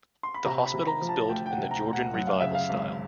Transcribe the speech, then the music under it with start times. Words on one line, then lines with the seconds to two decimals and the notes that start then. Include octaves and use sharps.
The hospital was built in the Georgian Revival style.
0.23 C6
0.34 B5
0.45 C3 A#5
0.66 B5
0.74 C3
0.81 B5
0.87 A#5
1.01 F3
1.09 A5
1.29 D2 G5
1.46 G5
1.51 F#5
1.58 C3
1.71 A#5
1.85 D2
1.93 F#5
2.14 F#2 F#5
2.27 F5
2.41 C#3 E5
2.55 F5
2.69 G#1